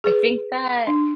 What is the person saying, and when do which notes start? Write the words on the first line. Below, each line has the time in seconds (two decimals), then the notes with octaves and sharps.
I think that
0.04 G#4 B4
0.87 D4